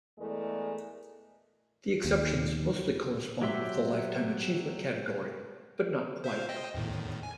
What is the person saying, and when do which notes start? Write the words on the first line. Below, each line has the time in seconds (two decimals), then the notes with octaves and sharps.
The exceptions mostly correspond with the lifetime achievement category, but not quite.
0.19 E2 G#3 A3 A#4 D5
2.05 D#2
3.42 F#3 G4 E5 C6
6.24 C5 E5 F5
6.49 C5 D#5 G5
6.75 E2 A2 D#3
7.23 G#5